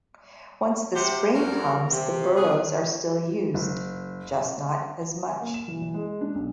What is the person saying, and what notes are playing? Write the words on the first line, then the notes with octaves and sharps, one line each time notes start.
Once the spring comes the burrows are still used, just not as much.
C3 G4 C5 F#5
F2 F#3 G3 F#4 A#4
C3
B3 G#4
F#1
G#5
A#3
E7
E3
E3
G#3
D4
B1